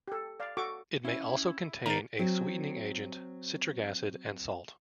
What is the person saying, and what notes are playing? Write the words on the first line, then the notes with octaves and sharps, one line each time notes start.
It may also contain a sweetening agent, citric acid and salt.
G4 A4
D5 F5
F#4 A4 C#6 D6
C#4 E4
D#3 B3 D5 A#5 A6
F#3 C4